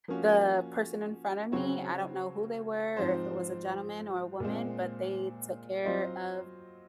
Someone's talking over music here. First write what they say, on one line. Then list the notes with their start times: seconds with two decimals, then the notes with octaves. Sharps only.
the person in front of me, I don't know who they were, or if it was a gentleman or a woman, but they took care of
0.08 F3 A#3 C#4 F#4
1.52 C#3 F#3 C4 F#4 C#5
2.97 G#2 F3 C4 F4 C5
4.40 A#2 G#3 C4
5.84 F#3 C4 F4 C5 D#5